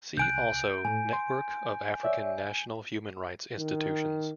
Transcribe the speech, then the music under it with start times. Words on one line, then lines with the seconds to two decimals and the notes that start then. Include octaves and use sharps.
See also Network of African National Human Rights Institutions.
0.17 C2 G#5 F#6 G6 D7
0.85 A2 A3 G#5
1.13 C6
2.03 C#5 D5 E5
3.58 D#3